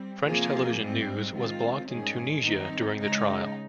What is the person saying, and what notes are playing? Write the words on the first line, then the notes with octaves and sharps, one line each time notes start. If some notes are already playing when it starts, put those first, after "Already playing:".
French television news was blocked in Tunisia during the trial.
Already playing: G3 C4
C3 F3 A#3 F4 G#4
G#2 G3 C4
D#3 G#3 C4 F4
G#2 D#3 G3 C#4 G#4
D#3 G3 C4 D#4
C#3 G#3 D#4